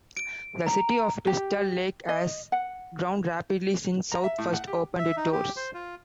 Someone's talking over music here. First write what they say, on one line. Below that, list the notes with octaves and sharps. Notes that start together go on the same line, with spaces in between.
The city of Crystal Lake has grown rapidly since South first opened it doors.
D7
A#5
G4
D#5
F#5
A#5
E5
A2
F#5
G4
E5
D#4
G4
C5
F4